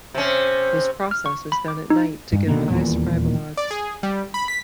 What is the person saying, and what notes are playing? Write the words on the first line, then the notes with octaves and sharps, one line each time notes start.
This process is done at night to give high survival odds.
C3 C#4
F6
C#6
B5
D6
D#4
G2
B2 D3 D#3 A#3
D#1 E2 A#2
D5
G#4
G3
B5
B6